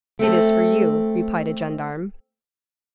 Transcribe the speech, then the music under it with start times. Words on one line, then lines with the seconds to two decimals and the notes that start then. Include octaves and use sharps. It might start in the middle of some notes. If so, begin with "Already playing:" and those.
"It is for you," replied a gendarme.
0.19 A3 C4 A4